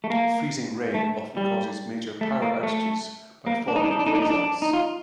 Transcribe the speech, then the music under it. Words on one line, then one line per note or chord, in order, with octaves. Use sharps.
Freezing rain often causes major power outages by forming glaze ice.
A3
A#3
A3
G3
A3
A#3
A3
A#3
D4
D#4
D4
D#4
D4
D#4
D4
D#4
D4
D#4
F4